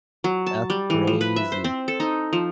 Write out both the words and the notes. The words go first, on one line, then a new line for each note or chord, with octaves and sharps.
That's crazy.
F#3
A5
G3
E3
F3
B4
E5
C5
C4
A4
D#4
F3